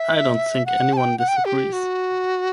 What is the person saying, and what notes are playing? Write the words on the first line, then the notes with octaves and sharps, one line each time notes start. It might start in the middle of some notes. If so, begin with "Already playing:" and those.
I don't think anyone disagrees.
Already playing: E5
F#5
A5
G5
F#5
G5
F#5
G4
F#4